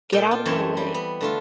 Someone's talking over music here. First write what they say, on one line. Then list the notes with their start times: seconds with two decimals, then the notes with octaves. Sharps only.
Get out of my way!
0.12 A#2 A4 D5 D#5 G5
0.31 F4
0.45 F#2 E3 C4 A4 C#5 D#5
0.77 G3
0.94 B3
1.21 D3 A3 F4